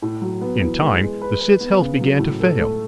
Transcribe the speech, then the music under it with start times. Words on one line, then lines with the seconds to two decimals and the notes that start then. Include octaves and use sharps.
In time the Cid's health began to fail.
0.02 A2
0.22 F#3
0.41 B3
0.62 E3
0.82 G#3
1.01 G#3
1.21 B4
1.41 B4
1.61 B3
1.81 C#3
2.00 F#3
2.19 A2
2.40 A4
2.59 A3